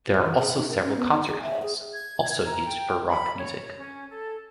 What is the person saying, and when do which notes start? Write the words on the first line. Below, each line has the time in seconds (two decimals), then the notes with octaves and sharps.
There are also several concert halls, also used for rock music.
0.10 B4
0.24 E3
0.39 G#4
0.56 D#4
0.69 A#4
0.83 C#4
0.97 B3
1.12 D#4
1.28 G#4
1.42 E5
1.62 G#4
1.93 G#6
2.44 A#5
2.67 G5
3.07 B5
3.39 C#5
3.78 C#4
4.10 A4